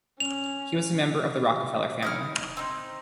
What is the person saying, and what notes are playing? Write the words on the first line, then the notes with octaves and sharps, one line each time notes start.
He was a member of the Rockefeller family.
C#4 F7
D#4 E4 F6
C4 D#4